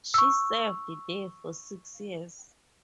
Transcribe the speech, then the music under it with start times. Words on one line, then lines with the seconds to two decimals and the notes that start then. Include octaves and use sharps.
She served there for six years.
0.14 C#6 E6